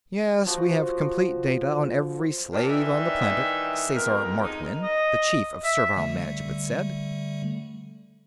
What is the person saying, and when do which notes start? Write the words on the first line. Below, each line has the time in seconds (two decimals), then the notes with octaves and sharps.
"Yes, we have complete data on every slave on the planet," Sesar Martwynn, the Chief of Servile Management, said.
0.47 F3 F#4 F#5
2.53 G2 A#2
2.69 D#3 E3 G3 D4 D#4 E5
3.95 F2 B2 G4 A#4
4.43 D#4 G#4 D#5
4.82 D#5
5.64 E5
5.97 D3 G3 A3